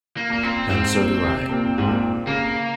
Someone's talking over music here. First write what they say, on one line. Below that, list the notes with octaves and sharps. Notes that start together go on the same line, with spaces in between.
And so do I.
A#3
A#2 A#3
C4
G#2 C4
A#2
C3
A#2
G#2
A#2
C#3 A#3